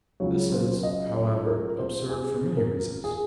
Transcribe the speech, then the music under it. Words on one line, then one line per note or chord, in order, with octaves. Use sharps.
This is, however, absurd for many reasons.
C#2 C#3 F#3 C#5
C5
D#5
C#5
A#4
C5
G#4
A#4
G#4